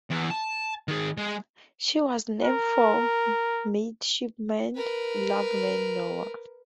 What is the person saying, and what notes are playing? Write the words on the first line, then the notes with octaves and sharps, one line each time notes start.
She was named for Midshipman Loveman Noa.
E2 E3
A5
D#3 G#4
G#3
A#4
A#4 B4